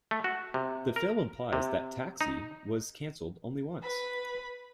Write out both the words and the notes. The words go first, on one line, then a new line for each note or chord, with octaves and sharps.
The film implies that "Taxi" was canceled only once.
A3
F#4
C3
A#4
C3
D#4
B4 B5